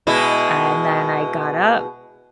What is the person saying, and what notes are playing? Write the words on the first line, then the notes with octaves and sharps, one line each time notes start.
And then I got up,
B2 G#3 E4